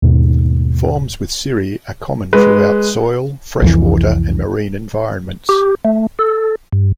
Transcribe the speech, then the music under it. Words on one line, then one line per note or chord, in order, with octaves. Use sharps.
Forms with cirri are common throughout soil, freshwater, and marine environments.
D#2 G#2 B2
G#3 B4
C2 F2 E3
G4
A3
A4
G2